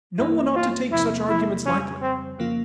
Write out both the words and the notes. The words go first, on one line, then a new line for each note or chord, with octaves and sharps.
No one ought to take such arguments lightly.
G2 E3 A#3 E4
F4
E2 C3 F3 A#3 E4
E4
F2 C#3 G3 C#4
C4
F2 C#3 F3 A#3 F4